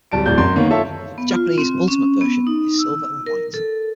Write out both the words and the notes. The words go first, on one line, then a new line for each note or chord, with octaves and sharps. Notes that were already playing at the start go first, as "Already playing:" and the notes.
The Japanese "Ultimate Version" is silver and white.
D1 G3 A5 D7
D1 A2 D5 G6
F#2 C6
D#3 A#3 B3 C#5
F4 A4 C#5 E5
B3
F4
C4
C#4
B3
D#4
E6
A#4
A4